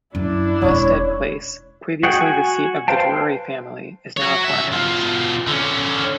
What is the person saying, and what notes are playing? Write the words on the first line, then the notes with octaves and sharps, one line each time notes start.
Hawstead Place, previously the seat of the Drury family, is now a farmhouse.
F#2 D4 E4
E1 C#4 C#5
F#4 G#4 F#5 G5
F#4 G#5
B4 C5 F5 G5 A5
F#4 C#5
C#2 E5
B2 F4
D3 C#4